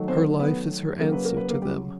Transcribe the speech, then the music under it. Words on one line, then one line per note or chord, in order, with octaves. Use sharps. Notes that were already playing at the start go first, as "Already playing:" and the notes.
Her life is her answer to them.
Already playing: D#3 F#3 A3
C4 C5
B3 B4
C#3 F#3 A#3 A#4
B4
A#4
B4
A#3 A#4
G3 G4